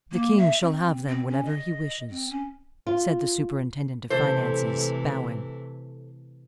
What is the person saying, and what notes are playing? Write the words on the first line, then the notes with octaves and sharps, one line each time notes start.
"The king shall have them whenever he wishes," said the superintendent of finances, bowing.
A#3
E5
C4
C4
C#4
D#5
C4
C#4
F4
C3 E3 A3 A4 C5